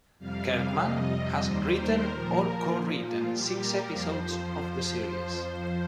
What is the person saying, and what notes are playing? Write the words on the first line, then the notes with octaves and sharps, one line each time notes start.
Kirkman has written or co-written six episodes of the series.
F2 C3 G3 F5
F2 C3 G3 D#5
D#2 D#3 G3 C5
A#4
A#2 F3
A#2 F3
F4
A#2 G3 G4
A#4
F2 F3 C5